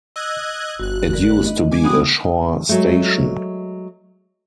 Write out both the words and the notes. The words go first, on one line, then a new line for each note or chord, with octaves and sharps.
It used to be a shore station.
D#5 E6 F#6 G#6
G1 F#4 F#6
E4 A#4 D5
D#5
G#3 G#5 D6
G3 B3 D#4 F#5 D#6
F#3 G#3 A3